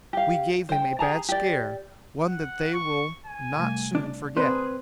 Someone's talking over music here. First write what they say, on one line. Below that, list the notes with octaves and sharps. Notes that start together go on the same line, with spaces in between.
"We gave them a bad scare--one that they will not soon forget."
G4 F5
C5 G5
G4 G#4 A5 A#5
G4 D5
F#5
C#6
G#5
C3 G3 A3
D4
C4 G#4 B4 C5 D5 A#5 C6